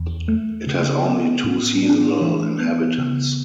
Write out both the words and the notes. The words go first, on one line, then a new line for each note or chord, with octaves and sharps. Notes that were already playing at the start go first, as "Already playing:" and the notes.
It has only two seasonal inhabitants.
Already playing: E2
A3
C#3
B3
A2
D4
E3
B3
C#3